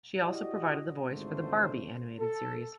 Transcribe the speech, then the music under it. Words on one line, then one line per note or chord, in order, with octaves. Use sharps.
She also provided the voice for the "Barbie" animated series.
E4 F#4 G4 D5 D#5
G#1 C#2 D3 G#3 A3 C5
A4